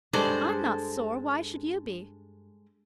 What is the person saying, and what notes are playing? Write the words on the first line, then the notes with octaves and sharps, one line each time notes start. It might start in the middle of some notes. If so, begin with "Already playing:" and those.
I'm not sore, why should you be?
G2 G#3 D4 A4 B4 C5